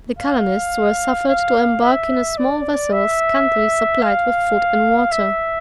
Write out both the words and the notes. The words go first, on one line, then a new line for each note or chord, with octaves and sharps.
The colonists were suffered to embark in a small vessel scantily supplied with food and water.
F5
F5
E5
D5
E5
F5
E5